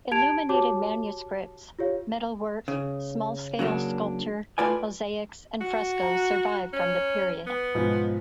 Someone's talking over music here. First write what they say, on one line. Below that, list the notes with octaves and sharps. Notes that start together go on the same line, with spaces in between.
Illuminated manuscripts, metalwork, small-scale sculpture, mosaics, and frescos survive from the period.
G4 A5 G#6 D7 F7
F#4 G4 C#5 A5 D6
F4 G4 C#5 F5
C#3
C#3 F#3 A#3 D4
A3 F4 B4 D5 G#5
F#4
A#5
C#4
B3
G#2 B2 F3